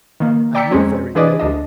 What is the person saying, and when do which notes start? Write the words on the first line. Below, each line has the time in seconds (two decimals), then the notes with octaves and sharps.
I knew very little.
0.20 D#3 A#3
0.55 D5 G5 A#5 E6 B6 C#7
0.71 F2 G#3 C4 C#4
1.15 E3 D4 G#4 B4 D5 D#5
1.40 D2 D4 D#5